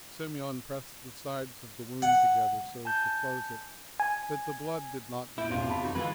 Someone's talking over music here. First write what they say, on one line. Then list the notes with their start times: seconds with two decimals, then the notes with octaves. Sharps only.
Semyon pressed the sides of the wound together so as to close it, but the blood did not diminish.
2.02 F#5
2.85 G#5 A5 G6
4.00 G#5
5.38 E4 G6 D7
5.50 E1 A1 A2 C3 F4
5.68 E2 A5 B5
5.83 F#2 D#4 F#4
5.95 D3 E3 G#3 F4 B4 G#6